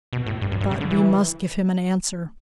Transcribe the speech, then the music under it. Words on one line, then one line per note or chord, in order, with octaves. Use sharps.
"But we must give him an answer."
B2
A2
G2
F#2
G2
C#3
D3
E3